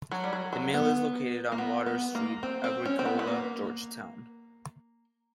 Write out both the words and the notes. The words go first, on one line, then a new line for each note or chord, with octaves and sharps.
The mill is located on Water Street, Agricola, Georgetown.
F#3
G3
F#3
F#3
B3
A#3
B3
B3
A#3
C4
C4
C#4
C4
B3
B3
A#3